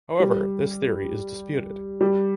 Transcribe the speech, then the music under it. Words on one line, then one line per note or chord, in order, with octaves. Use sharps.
However this theory is disputed.
G3
G3